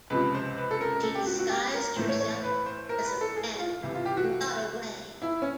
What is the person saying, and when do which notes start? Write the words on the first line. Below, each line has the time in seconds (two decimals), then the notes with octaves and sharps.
She disguised herself as a Wren and got away.
0.10 C#2 C3 F3 B4
0.35 C5
0.58 B4
0.71 A4
0.81 A#4
1.03 A4
1.15 G4
1.26 F#4
1.39 F#4
1.50 G4
1.74 A#4
1.96 A2 E3 A3 C5
2.09 C#5
2.20 C#5
2.32 C5
2.43 B4
2.66 C5
2.89 A#4
3.05 B4
3.21 A4
3.36 G#4
3.59 F4
3.83 C2 C3 E3
3.95 F4
4.05 G4
4.17 F#4
5.22 E4
5.42 C#4